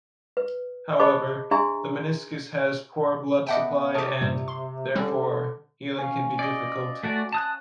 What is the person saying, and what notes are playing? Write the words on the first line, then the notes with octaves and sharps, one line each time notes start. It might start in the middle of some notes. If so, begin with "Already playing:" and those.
However, the meniscus has poor blood supply, and, therefore, healing can be difficult.
B4
G#4 C5 D#5 A5 B5 D6
D4 G#4 E5 G#5 A#5 C6
B3 D#5 E5 F#5 G5 A5 D6
C3 G4 A#4 C#5 A5 D#6
G2 A#2 G3
C6
D3 G3 C4 C#4
C#4 F5
D5 D#5
A3 F#4 D5
A5 D#6 F#6